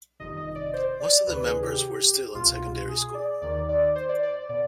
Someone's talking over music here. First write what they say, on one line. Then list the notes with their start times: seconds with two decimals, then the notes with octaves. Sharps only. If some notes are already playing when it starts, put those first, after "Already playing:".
Most of the members were still in secondary school.
0.19 G1 F2 C3 D#3 D#5
0.37 D#5
0.55 D5
0.73 C5
1.00 D5
1.27 D2 C3 D#3 B4
1.45 G#4
1.63 G4
2.34 C2 B2 F4
2.89 G#4
3.14 D5
3.42 D#2 D#3 D5
3.69 D5
3.95 C5
4.09 D5
4.23 D5
4.49 B2 D5